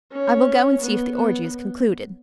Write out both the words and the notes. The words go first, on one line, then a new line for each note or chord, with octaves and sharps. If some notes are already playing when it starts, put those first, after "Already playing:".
I will go and see if the orgy is concluded.
C#4
B3
B3